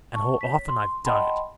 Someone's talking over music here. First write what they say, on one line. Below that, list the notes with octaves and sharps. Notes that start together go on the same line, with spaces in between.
And how often I've done it!
A5 C#6
C#5 B6
C6
D#5 F#5 G5 A5 B5 C6